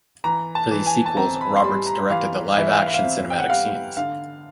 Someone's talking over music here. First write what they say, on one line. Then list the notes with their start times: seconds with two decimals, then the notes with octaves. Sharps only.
For these sequels, Roberts directed the live-action cinematic scenes.
0.24 E3 A#5
0.55 A5
0.71 E3
0.86 G#5
1.06 A5
1.17 C4 A#5
1.41 B5
1.56 C6
1.64 G3 B5
1.87 A#5
2.10 E3 F5
2.57 E3 E5
2.80 F5
2.88 E5
2.94 F5
3.04 C4
3.30 G5
3.40 F#5
3.50 G3 F5
3.97 D3 F5